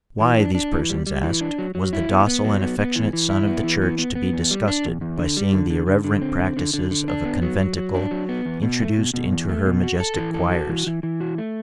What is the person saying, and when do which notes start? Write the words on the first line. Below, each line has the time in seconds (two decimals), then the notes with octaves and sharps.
Why, these persons asked, was the docile and affectionate son of the Church to be disgusted by seeing the irreverent practices of a conventicle introduced into her majestic choirs?
0.20 E3
0.38 D4
0.55 D4
0.72 E3
0.90 G3
1.07 G3
1.23 E3
1.41 D4
1.58 F#3
1.75 F#3
1.93 E4
2.09 B3
2.27 B3
2.44 F#3
2.61 B3
2.79 B3
2.96 E3
3.13 E3
3.30 E4
3.47 B3
3.64 E3
3.82 B3
3.98 B3
4.15 B3
4.33 E2
4.51 G3
4.68 D4
4.85 E2
5.01 E2
5.18 D3
5.37 G3
5.53 D3
5.70 D3
5.87 D3
6.04 D3
6.21 C4
6.39 D3
6.57 D3
6.74 D3
6.91 D3
7.08 D4
7.25 B3
7.42 F#3
7.60 F#3
7.77 F#3
7.94 D4
8.11 F#3
8.29 B3
8.45 E2
8.62 B2
8.80 A3
8.97 B2
9.14 B2
9.32 E2
9.49 A3
9.66 B2
9.83 F#4
10.00 A4
10.17 E3
10.34 A4
10.52 F#4
10.69 E3
10.87 E3
11.03 E3
11.20 F#4
11.38 A3